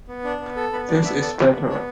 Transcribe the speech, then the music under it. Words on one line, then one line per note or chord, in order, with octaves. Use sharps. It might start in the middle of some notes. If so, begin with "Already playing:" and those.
This is better.
B3
D4
B3
A4
B3 B4
D4 D5
B3 E5
A4 D5
B3
D4 B4
B3 C#5